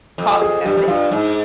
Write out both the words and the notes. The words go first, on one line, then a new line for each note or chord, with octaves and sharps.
Call That's it.
F2
G#4
G2 G4
F2
G2 F4
G#2